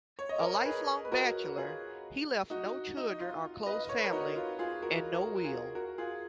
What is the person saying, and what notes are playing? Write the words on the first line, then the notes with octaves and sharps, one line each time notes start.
A lifelong bachelor, he left no children or close family and no will.
C#5
D#5
A#4 C#5
G#4 B4
B4
F#4 A#4
F4 G#4
D#4 F#4
D#4
F4
B4 D#5
C#5
B4
A#4 C#5
D#4 F#4
F4
F4 G#4
F#4 A#4
F#4 A#4
A#4
F4 G#4
F#4 A#4
F4 G#4